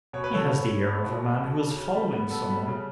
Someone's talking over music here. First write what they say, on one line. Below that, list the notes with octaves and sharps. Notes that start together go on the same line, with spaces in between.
"He has the air of a man who is following some one."
B2 C#5
B4
B2 A4 C#5
B3
B3
B3
B2
B3
B2
C#3
C#3
G3
B3
B3 A4
G3
C#3